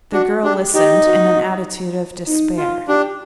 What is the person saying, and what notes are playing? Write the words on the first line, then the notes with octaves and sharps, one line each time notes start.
The girl listened in an attitude of despair.
D4 F#4
D4 G4
D#4 G4
F#4
D#4
F4
D4 G4